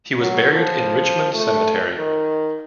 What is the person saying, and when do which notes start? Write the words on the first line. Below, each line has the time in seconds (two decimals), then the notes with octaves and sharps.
He was buried in Richmond Cemetery.
0.20 F#3
0.53 F3
1.34 A3
1.97 D#3